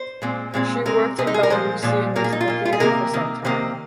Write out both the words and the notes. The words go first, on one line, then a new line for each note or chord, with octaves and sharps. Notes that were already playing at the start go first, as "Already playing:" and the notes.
She worked in Belarusian Musical Theatre for some time.
Already playing: C5
A#2 G#3 C4
A#2 G#3 C4
C3 G#3 C4 A#4
C3 G#3 C4 G#4
D#4
G#4
A#4
A#2 F3 G#3 C5
A#2 F3 G#3
A#2 A#3 A#4
G#4
D#4
F4
A#2 A#3
F4
G#4
C3 D#3 A#3 A#4
C3 D#3 A#3
C3 D#3 A#3 C5